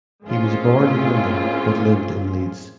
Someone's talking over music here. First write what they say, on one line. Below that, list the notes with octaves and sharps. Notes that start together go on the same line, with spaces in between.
He was born in London but lived in Leeds.
A2 G#3 A#3 C4 C#4 F4